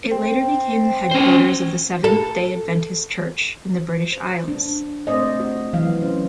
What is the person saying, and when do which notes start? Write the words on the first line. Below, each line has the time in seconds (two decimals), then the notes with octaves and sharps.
It later became the headquarters of the Seventh-day Adventist Church in the British Isles.
0.11 C4
1.11 C#4 C5
2.04 A4
4.12 C5
4.48 D4
5.07 A3 C4 C5 D5 D#5
5.40 F#4
5.73 E3 F#3 F5
6.02 C#4 C5